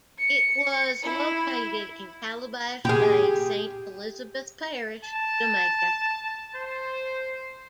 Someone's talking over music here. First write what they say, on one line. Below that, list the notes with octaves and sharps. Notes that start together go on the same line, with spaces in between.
It was located in Calabash Bay, Saint Elizabeth Parish, Jamaica.
C#7
E4
G4 G#4
A5
C5